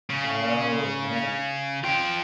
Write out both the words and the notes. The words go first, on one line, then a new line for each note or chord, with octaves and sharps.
Oh, man.
C#3
F4 G5